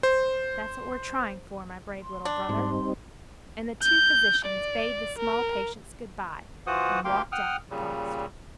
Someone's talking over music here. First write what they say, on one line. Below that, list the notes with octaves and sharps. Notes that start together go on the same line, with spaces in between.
"That's what we're trying for, my brave little brother," and the two physicians bade the small patients good-by and walked out upon the street.
C5
C6
D4
G#2 G3 C4 D#4 C6
G6
D5
A#4
E3 F4 F#4 C5 F#5 D#6
D2 A#3 G4 F5 G5 C6
F#5 G5 D#6 F6
A#2 C#3 G3